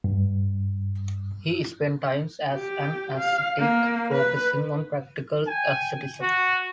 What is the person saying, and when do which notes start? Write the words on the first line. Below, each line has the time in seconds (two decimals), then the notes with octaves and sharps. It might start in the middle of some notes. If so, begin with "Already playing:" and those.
He spent time as an ascetic, focusing on practical asceticism.
0.04 G2
2.54 G4
3.18 F5
3.60 A#3
4.12 B4
5.48 G5 G#5
6.21 F#4